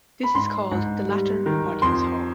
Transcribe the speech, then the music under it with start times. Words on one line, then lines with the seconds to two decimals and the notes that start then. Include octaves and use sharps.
This is called the latter audience hall.
0.23 B5
0.34 G#2 C6
0.71 G#2
1.09 G3
1.46 D#3
1.82 F2 C6